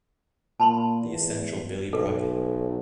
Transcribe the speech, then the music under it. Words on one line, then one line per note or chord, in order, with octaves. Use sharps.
The Essential Billy Bragg.
A#2 A5 B5 C6
E2
B1 A4